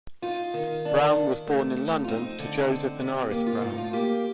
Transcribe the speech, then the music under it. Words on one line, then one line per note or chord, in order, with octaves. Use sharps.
Brown was born in London to Joseph and Iris Brown.
D#4 F4
D#3
D4
D#3
A3
F2
F4
C4 D#4
D3
C4
C3
A#3 G4
F4
A2 D#4
F4
A#3 G4